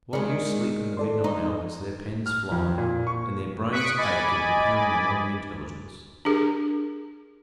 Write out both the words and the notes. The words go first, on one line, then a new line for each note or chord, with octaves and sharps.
While you sleep in the midnight hours, their pens fly, and their brains ache in preparing the morning intelligence.
D#3 G#3 D5 C#7
A4 D5 C6
D#4
F6
F2
A#2
C#6
C#6 D#6 F#6 B6 C#7 D7
D#5 G#5 B5 D6 A6
D4 G4 G#4 A#4